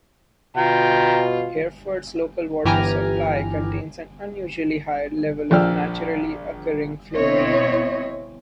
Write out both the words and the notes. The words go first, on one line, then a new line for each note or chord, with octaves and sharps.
Hereford's local water supply contains an unusually high level of naturally occurring fluorine.
B2 F4 G5 A#5
G1 E3 G4 G#5 A#5 F6
A#1 F3 D5 G5 E6 F6
B2 C4 E4 C#5 D#5